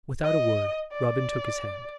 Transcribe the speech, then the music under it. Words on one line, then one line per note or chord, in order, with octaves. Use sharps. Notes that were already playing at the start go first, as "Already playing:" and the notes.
Without a word, Robin took his hand.
D#5
D5